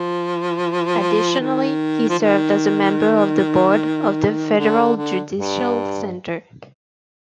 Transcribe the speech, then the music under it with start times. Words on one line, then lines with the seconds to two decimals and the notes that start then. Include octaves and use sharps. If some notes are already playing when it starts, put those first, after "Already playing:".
Additionally he served as a member of the Board of the Federal Judicial Center.
Already playing: F3
1.40 D#3
2.09 F3
2.19 D#3
4.57 D3
4.96 D3
5.36 G2